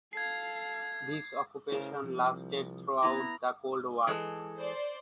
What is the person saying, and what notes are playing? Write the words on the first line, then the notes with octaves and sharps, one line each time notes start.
This occupation lasted throughout the Cold War.
A4 F5 G#6 C7
C#3 A3 E4 A#4 C5 A5
C2 C3 E3 F3
B3 E4 A#5
E3 G#3 A4
C5 D5 C6